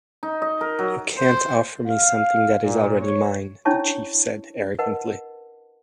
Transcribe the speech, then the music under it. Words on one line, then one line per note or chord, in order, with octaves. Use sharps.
"You can't offer me something that is already mine," the chief said, arrogantly.
D#4
D#5
A#4
F#3
C5
F5
A#2
C#5
C#4 D4 E4 C#5 A5 C#6
A#4 B4 D#5 F#5 A5